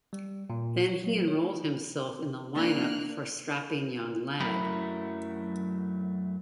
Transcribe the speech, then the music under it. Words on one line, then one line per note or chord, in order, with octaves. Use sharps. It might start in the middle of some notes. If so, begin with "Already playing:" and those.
Then he enrolled himself in the lineup for Strapping Young Lad.
G3
A#2
C#5
F#3
C#5
A#3 D4 F6 F#6
F#2 F#3 A3 E4 A#4 B5